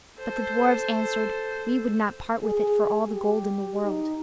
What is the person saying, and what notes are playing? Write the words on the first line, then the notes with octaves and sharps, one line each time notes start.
But the dwarfs answered, "We would not part with it for all the gold in the world."
A4 C5
G#4
G4
D#4